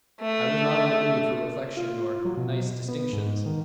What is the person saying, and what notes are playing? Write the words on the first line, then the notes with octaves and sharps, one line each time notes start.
I was not in a mood for reflection or nice distinctions.
A3
F4
F#3
B2
B3
G#2
D#3